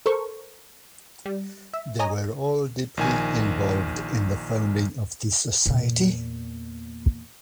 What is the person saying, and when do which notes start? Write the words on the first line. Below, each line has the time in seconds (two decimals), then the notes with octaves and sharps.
They were all deeply involved in the founding of the society.
0.06 A4 A#4 C5 C#6
1.26 G3
1.73 E5
1.99 C#5 D#5 G#5 A#5 D#6
2.97 A#1 D#3 G#5
5.66 E2 A#2